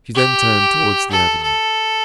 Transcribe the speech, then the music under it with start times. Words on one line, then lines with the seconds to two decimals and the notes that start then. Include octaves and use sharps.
She then turned towards the avenue.
0.15 G4
1.10 A4
1.42 A4